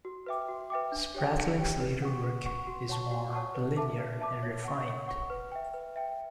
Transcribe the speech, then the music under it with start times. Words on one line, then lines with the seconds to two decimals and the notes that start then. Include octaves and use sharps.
Spratling's later work is more linear and refined.
0.05 F#4
0.26 B4 E5 G5 D6
0.48 F#4
0.70 B4 E5 G5 D6
0.92 D4
1.14 G4 C#5 G5
1.36 D4
1.58 G4 C#5 G5
1.80 B4
2.02 F#5 C#6
2.24 B4
2.46 F#5 C#6
2.67 F#4
2.89 C#5 F#5 A5 C#6
3.11 F#4
3.33 C#5 F#5 A5 C#6
3.55 B4
3.77 E5 A5 D6
3.98 B4
4.20 E5 A5 D6
4.43 C#5
4.64 F#5 C#6
4.86 C#5
5.08 F#5 C#6
5.30 B4
5.52 E5 G5
5.74 B4
5.96 E5 G5